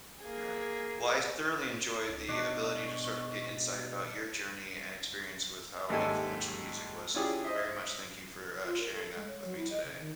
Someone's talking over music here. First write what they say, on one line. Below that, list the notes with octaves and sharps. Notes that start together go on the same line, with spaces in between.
Right, well, I thoroughly enjoyed the ability to sort of get insight about your journey and experience with how influential music was, so th very much thank you for, uh, sharing that with me today.
A#3 G#4
C#2
B2 G#3 D4 C#6
D#2 G#2 G3 A4 E5 G#5
C#4 D4 E4 F4 G4 G#4
C5 D#5 E5
F4
A#4
A4
G#3
C#5
F#3
E4
D#5
C#3
D#3